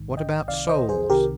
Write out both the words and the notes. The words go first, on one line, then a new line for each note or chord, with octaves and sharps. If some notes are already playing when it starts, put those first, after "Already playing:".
"What about souls?"
Already playing: A#1 G#2 D#3
D#5 G5
C2 C3 D#3 D5 F5
C5 D#5
G#4 C5
C2 C3 D#3 G4 A#4